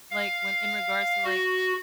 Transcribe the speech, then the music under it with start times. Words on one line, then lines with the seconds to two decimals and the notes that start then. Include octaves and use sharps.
like, when in regards to, like,
0.11 F5
1.25 F#4